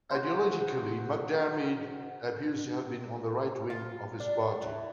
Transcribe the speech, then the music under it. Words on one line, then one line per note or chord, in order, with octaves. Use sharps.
Ideologically, McDiarmid appears to have been on the right-wing of his party.
F#4 C5
F4
D4
E3